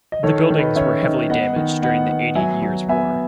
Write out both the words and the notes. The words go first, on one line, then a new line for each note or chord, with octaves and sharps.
The buildings were heavily damaged during the Eighty Years War.
D#5
D#3 A4 C#5
D#3
B4 D#5
C#4 C#5 E5
D#3
B3 D#5 F#5
D#3
B3 D#5 F#5
B3
F#3 E5 G#5
F#3
B3 E5 G#5